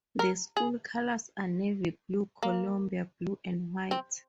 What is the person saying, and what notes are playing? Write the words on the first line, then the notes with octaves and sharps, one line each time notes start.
The school colors are navy blue, Columbia blue, and white.
A#4
G#4
A#3
C4